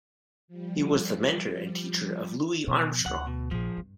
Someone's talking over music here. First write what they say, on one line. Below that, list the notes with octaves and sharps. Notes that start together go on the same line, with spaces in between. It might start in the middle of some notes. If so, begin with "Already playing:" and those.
He was the mentor and teacher of Louis Armstrong.
F3 G3
B2 F3
D2 F#5
B2
A#1 F3 G#4
G2